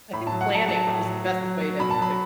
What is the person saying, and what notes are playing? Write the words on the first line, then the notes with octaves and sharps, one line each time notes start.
I think planning is the best way to to,
A2 B5
A5
F#3
F#5
F#3 A5
F#3 A5
A2
F#3
F#3
F#3
F#3
B2 B5
A5
F#3 B5